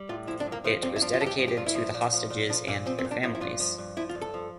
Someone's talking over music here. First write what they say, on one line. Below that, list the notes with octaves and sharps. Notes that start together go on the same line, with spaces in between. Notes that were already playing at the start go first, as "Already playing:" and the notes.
It was dedicated to the hostages and their families.
Already playing: G3
A2 F4
F3 E4
D4
G2
A#3
F3 A3
G2 C4
E4
F3 D4
F4
G2 A4
G4
F3
G4
G2 F4
E4
F3
A#2
F3
A#2
F3 D4
A#2 A#3
F3 C4
C4
A#2
D4
F3 E4
E4
G2 F4
F3
G2
F3 E4
F4
G2
A4
F3